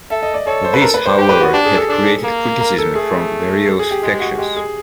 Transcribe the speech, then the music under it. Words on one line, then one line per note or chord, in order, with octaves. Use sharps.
This however had created criticism from various factions.
A4 E5
D#5
D5
A4 C#5
C5
B4
A#4
B4
C5
G4
B4
F#4
D4 G4
G#4
A4
D4
A#3
A#4
A4
A3 G#4
A4
G#4
G4
G#3 G4
F#4
G#3 G4
G#4